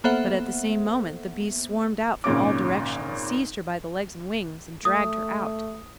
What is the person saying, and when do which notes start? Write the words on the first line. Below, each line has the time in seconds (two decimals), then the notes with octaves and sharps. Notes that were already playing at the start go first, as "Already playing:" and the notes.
But at the same moment the Bees swarmed out from all directions, seized her by the legs and wings, and dragged her out.
0.04 A#3 B3 A4 C5 E5 F#5
2.24 G#1 A#2 C#3 C#4 D6
4.85 A3 D#6